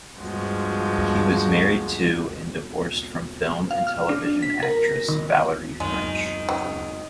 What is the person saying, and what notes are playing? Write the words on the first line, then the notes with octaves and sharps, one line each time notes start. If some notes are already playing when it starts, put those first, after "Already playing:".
He was married to and divorced from film and television actress Valerie French.
G2 F3 G#3 F#4
F5
F6
D4
B6
A#4
A#6
D#3
F#2 D#3 G#3
C#3